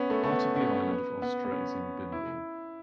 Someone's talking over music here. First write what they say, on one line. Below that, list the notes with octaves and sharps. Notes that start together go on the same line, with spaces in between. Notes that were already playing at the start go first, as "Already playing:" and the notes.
Part of the island of Austra is in Bindal.
Already playing: B3 C#4
A3
A3
B3
B3
C#4
B3
B3
B3
C#4
E4